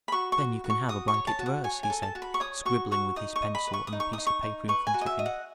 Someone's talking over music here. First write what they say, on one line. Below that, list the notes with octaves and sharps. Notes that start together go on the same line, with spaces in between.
"Then you can have a blanket verse," he said, scribbling with his pencil on a piece of paper in front of him.
B5
F#4 C#6
C#6
F#4
F#4
C#6
F#4 D#6
C#6
C#5
A5
F#4
F#5
C#5 G#5
G#5
A4
A5
F#4
B5
C#6
C#5 D#6
F#4 C#6
F#4 C#6
D#4 D#6
C#6
D#5
B5
B4
C#6
D#6
D#4
C#6
D#4 D#6
C#6
D#4
B4 C#6
G#5
F#4
D#5
E5
D#5
F#5